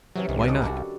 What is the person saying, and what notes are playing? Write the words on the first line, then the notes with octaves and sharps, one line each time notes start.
Why not?
C3 E3 F#3 C#4
C2 D#3
G#3 D#4 A4
G3 D4 F#4